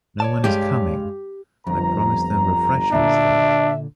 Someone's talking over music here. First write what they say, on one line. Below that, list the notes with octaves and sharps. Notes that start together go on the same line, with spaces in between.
No one is coming! I promised them refreshments, though.
C#5 D5 A5
G2 G#3 G4 F5
G1 F2 A#5
A#2 D3 D4 E5